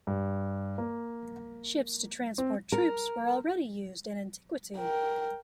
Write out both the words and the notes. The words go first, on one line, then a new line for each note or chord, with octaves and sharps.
Ships to transport troops were already used in Antiquity.
G2
A#3
C4
A#4
A#4 G5